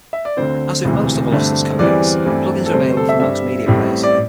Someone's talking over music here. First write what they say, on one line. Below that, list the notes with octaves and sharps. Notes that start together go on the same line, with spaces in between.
As with most other lossless codecs, plugins are available for most media players.
E5
D5
D2 D3 C4 C5
E1 D2 C3 E3 C4
G2 D3 A3 C4
E2 E3 G3 C4 D5
G2 E3 A3 C4
A4
D2 C3 G3 C4 C5
C5
A4
E5
G2 G3 C4 E5
A1 A2 G3 C4
D5